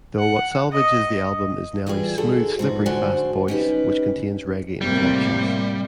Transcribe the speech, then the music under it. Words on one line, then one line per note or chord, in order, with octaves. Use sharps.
Though what salvages the album is Nelly's "smooth, slippery-fast" voice, which contains "reggae inflections".
F#5
D#5
E3 G3 F4 G#4 D5
D3 F#4 G#4 A4
G#2 F3 F#4
D3 D4 F#4 C5 G#5
C#4 D#4 G4 B4
A2 C3 G3 A#3